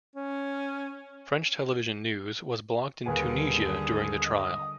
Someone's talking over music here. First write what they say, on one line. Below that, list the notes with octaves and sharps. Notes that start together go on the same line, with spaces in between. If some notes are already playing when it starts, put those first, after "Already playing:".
French television news was blocked in Tunisia during the trial.
C#4
D#2 D3 G3 G#4 B4 G#5
D#5